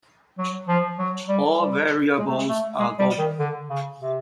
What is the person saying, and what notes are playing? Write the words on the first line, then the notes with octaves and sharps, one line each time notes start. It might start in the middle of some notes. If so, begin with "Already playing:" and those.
All variables are global.
F#3
F3
F#3
G3
G3
G#3
A3
G#3
A3
G#3
G3
D#3
D3
C#3
C3